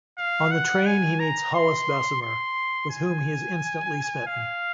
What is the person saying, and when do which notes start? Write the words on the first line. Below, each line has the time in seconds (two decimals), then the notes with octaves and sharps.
On the train he meets Hollis Bessemer, with whom he is instantly smitten.
0.18 F5
0.52 F#5
0.86 G#5
1.20 A#5
1.54 C6
2.22 C6
2.90 G#5
4.27 F5